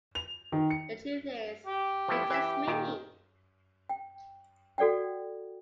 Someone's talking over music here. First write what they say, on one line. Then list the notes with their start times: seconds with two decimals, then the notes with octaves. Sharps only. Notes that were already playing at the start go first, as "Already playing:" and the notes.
The truth is, it's just me.
0.15 F7
0.52 D#3
0.70 C#7
1.66 G4
2.08 F3 A3 E4
2.30 E3 E5
2.68 A#2 D#3 G5
3.89 G5
4.78 F#4 A4 D5 F#5 G5